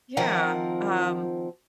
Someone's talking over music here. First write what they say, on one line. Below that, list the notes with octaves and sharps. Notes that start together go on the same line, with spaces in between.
Yeah, um
D#3 F3 C4 A#4 F#5